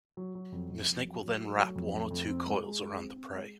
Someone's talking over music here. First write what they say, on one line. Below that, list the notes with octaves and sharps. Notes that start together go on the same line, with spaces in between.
The snake will then wrap one or two coils around the prey.
F#3
F#3
F2
F2
F2
F#3
F#3
A3
F#3
F2
A3
F2
C4
G#3
G#3
G#3
C4
C4
G#3